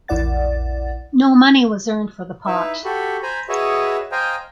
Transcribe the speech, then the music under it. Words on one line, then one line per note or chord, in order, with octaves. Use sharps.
No money was earned for the pot.
A#1 E2 E4 D5 F#5 A6
D#4 E4 B4 E5
F#4 G4 A4 B5
C5 G#5 A#5 B5
F#4 G#4 B4 C#5 D#5 E5
C5 D#5 F5 G5 G#5 A#5